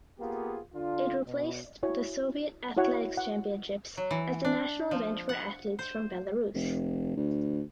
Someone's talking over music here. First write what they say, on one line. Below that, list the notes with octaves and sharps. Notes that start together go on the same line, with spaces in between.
It replaced the Soviet Athletics Championships as the national event for athletes from Belarus.
A#3 B3 F4 G4 G#4
D3 D4 F4
B2
E4 F#4 C#5
E4 F#4 C#5 F#5
F#5
F#3
E3
D4
F3
F#5
C5
F1
D2